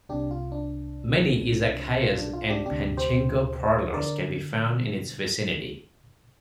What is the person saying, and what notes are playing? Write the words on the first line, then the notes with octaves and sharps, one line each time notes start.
Many "izakayas" and pachinko parlors can be found in its vicinity.
C2 C3 D4 G4
F4
D4
C2 C3
F4
D4
F4
D4 G4
D2 C3 D4 G4
G4 C5
D3 A#4 D5